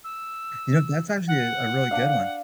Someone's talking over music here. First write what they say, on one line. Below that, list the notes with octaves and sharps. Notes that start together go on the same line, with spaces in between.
You know, that's actually, uh, a really good one.
E6
F#5
D4 F5